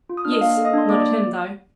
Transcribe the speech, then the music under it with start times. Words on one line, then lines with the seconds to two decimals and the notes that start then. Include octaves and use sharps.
'Yes; not at him, though.
0.09 F4
0.17 D#6
0.25 D4 F6
0.32 D#5 D#6
0.41 A#3 F5 F6
0.57 A4
0.65 D#5 D#6
0.73 D4 C6
0.89 A#3 D5 D6